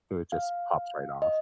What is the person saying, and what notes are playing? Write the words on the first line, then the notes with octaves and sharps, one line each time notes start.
So it just pops right off.
F5
D#5